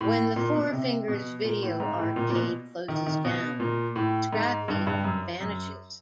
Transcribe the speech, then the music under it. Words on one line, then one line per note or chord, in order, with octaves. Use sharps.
When the Four Fingers Video Arcade closes down, Scrappy vanishes.
A2
A#2
B2
C3
B2
A#2
A2
G#2
A2
A#2
A#2
B2
D#3
D#3
B2
A#2
A2
G#2
G2
G2
F#2
F#2